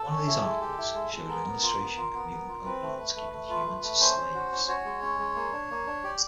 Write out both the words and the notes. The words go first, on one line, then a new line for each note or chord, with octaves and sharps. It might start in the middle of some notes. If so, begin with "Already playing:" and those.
One of these articles showed an illustration of mutant overlords keeping humans as slaves.
Already playing: A4
C#4
E4
G#3
G4
E4
G#3
G#3
B3 A#4
B3
F4
B3
F4
B3
B3
F4
C4 B4
A3
A3
A3
A3
F4
A3
A3
C#4 C5
C#4
F#4
C#4
F#4 C#5
G#3
C#4
G#3
A#3
D4
A#3
D4
G4 D5